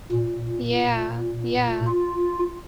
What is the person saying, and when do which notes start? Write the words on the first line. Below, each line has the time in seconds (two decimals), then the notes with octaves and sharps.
Yeah. Yeah.
0.12 A#2
1.87 F4